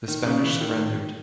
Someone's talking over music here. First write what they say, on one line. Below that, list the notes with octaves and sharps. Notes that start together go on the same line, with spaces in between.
The Spanish surrendered.
D#3
C#3
E3
D#3